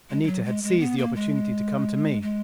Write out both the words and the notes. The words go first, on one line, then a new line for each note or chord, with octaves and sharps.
Anita had seized the opportunity to come to me.
G#3
G#3
F#3
G#3
G#3
B3
A#3
G#3
G#3